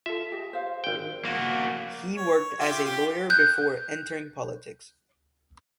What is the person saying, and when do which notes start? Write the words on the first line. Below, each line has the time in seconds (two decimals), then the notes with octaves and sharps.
He worked as a lawyer before entering politics.
0.06 F4 A4 E5
0.32 G4 G#4 D#5
0.53 C5 F5
0.84 G#1 G5
1.25 A#3 F#4
2.17 C#5
2.60 F4 G4 E5
2.85 G4
3.30 F#6 G6